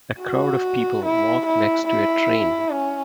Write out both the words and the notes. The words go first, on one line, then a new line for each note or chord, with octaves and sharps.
A crowd of people walk next to a train.
F#4
E4
E4
E4
C#4